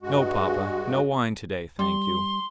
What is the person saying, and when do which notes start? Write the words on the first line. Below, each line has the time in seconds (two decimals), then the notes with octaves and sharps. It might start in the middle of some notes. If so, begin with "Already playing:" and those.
No, papa--no wine to-day, thank you.
0.03 G2 G#3 F#4
1.79 G3 C6